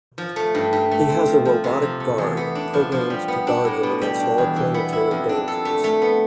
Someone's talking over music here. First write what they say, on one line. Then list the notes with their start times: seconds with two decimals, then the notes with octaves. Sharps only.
He has a robotic guard, programmed to guard him against all planetary dangers.
0.18 F3
0.36 A3
0.55 G2
0.73 G2
0.91 A3
1.09 C4
1.27 F3
1.45 F3
1.64 C3
1.82 F3
2.00 A3
2.18 E2
2.37 B3
2.55 D4
2.73 F3
2.92 F3
3.10 G3
3.28 B3
3.47 D4
3.65 A2
3.83 B2
4.02 G3
4.20 D4
4.38 E2
4.56 E3
4.74 B3
4.93 E4
5.11 F2
5.29 D4
5.48 A4
5.65 A3
5.84 A3
6.02 B3